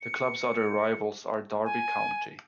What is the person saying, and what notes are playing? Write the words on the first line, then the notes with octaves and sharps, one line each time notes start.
The club's other rivals are Derby County.
C#7
G#5